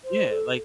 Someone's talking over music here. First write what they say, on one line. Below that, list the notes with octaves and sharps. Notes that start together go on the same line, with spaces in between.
Yeah, like
C5
A4